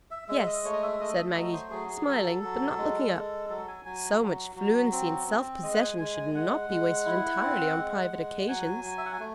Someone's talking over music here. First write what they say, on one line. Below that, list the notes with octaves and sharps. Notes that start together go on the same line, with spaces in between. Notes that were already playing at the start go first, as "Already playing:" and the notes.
"Yes," said Maggie, smiling, but not looking up; "so much fluency and self-possession should not be wasted entirely on private occasions."
E5
G#3 E5
D#5
A3 C#5
D#5
E5
A3 D#5
E5
F#3 D#5
C5
F#3 G#4
G#4
F#3 A4
F#3
G#3
G#3
F#3 A4
G#5
F#3 G#5
F#3
F#3
C4
C4
G#3 D#5
F#5
G#5
G#3 G#5
G#5
G#3 F#5
G#3
E4
C4
G#3
G#3
F#3 G#5
F#3
E5
F#5
G#5
A3